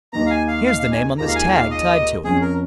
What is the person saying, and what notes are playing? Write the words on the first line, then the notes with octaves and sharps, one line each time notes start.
Here's the name on this tag tied to it.
D#2 D#3 A#3 A#5
F5
G#5
F5
F5
F5
G#5
D#2 D#3 G#3 F4 A#4 A#5
F5
G#5
F5
D#5
F2 F3 C#4 G#4
A#4